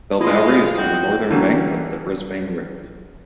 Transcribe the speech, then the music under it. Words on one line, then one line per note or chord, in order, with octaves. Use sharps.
Bellbowrie is on the northern bank of the Brisbane River.
G#3 E4 F4 D#5 F5 C6
F#4 G5
D3 E3 F#3 G3 A#3 C#4